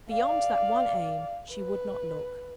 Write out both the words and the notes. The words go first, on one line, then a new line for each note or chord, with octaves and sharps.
Beyond that one aim she would not look.
D5 F5
B4